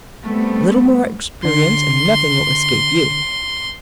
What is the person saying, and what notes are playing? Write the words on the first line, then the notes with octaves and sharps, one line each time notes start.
A little more experience, and nothing will escape you.
G3 A3 B3 C4
D3 C6